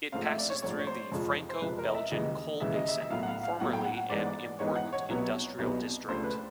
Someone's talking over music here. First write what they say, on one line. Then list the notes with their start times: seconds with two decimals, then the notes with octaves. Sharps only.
It passes through the Franco-Belgian coal basin, formerly an important industrial district.
0.12 A#1 G#2 F3 A3 C4 F5
0.26 E5
0.38 D5
0.50 C#5
0.62 A#1 G#2 F3 A3 C4 C#5
0.70 D5
0.79 C#5
0.87 C5
1.12 F2 C3 F3 G#3
1.49 C5
1.62 F2 C3 F3 G#3 B4
1.78 A#4
1.88 D#5
1.95 E5
2.11 D#2 C#3 E3 G#3 D#5
2.60 D#2 C#3 E3 G#3 E5
2.74 D#5
2.88 E5
3.01 E5
3.10 B1 A2 F#3 A#3 F5
3.23 F#5
3.27 F5
3.43 F5
3.60 B1 A2 F#3 A#3 F#5
3.73 G5
3.85 F#5
3.97 F#5
4.09 G#2 E3 G#3 B3 D#4 D5
4.59 G#2 E3 G#3 B3 D#4 C#5
4.76 F#5
4.93 C#5
5.09 C2 B2 F#3 B3 D#4
5.58 C2 B2 F#3 B3 D#4
6.08 C#2 C#3 F3 A3 D4 C5
6.24 B4